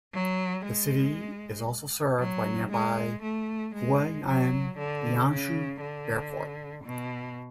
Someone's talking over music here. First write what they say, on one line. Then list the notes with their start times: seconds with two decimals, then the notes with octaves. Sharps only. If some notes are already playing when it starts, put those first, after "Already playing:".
The city is also served by nearby Huai'an Lianshui Airport.
0.14 F#3
0.65 G#3
2.19 F#3
2.72 G#3
3.23 A3
3.75 G#3
4.26 F#3
4.78 D3
5.30 C#3
5.81 D3
6.85 B2